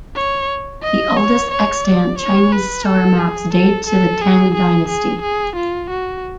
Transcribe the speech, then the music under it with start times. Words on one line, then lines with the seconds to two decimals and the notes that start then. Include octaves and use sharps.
The oldest extant Chinese star maps date to the Tang dynasty.
0.16 C#5
0.83 D#5
1.17 C#5
1.51 C#5
1.85 D5
2.19 C#5
2.52 B4
2.86 A4
3.19 G#4
3.54 A4
3.88 A4
4.21 G#4
4.55 G#4
4.89 G#4
5.22 G#4
5.56 F4
5.91 F#4